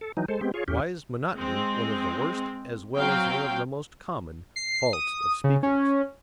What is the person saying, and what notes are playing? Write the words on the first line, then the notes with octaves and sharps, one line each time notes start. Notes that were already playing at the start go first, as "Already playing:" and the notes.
Why is monotony one of the worst as well as one of the most common faults of speakers?
A4
E3 F#3 D#4
G#3 A4 C5
G#3 B3 C4 G4
F4 G#4 C#5
E2 C#4 G4
G#3 C4
F#3 C4 F5 G5
C7
D#6
C#3
C#4